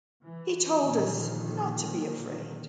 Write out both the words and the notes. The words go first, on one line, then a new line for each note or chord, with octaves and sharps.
He told us not to be afraid.
E3
A#2 D3 D#3 F3